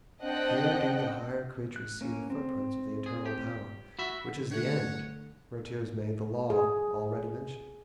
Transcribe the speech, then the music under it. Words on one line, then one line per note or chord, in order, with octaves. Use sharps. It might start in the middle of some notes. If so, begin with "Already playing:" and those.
Here do the higher creatures see the footprints Of the Eternal Power, which is the end Whereto is made the law already mentioned.
C4 D4 D#5 F#5 G5 F#6
F#6
A#3 C#4
C4
G#4
G4
F#4 E5 B5
D3 A3 C#5 F#5
G#4